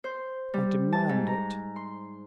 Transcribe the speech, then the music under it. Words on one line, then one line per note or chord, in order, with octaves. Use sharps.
"I demand it."
C5
G3
A5
G#2
A#5
C6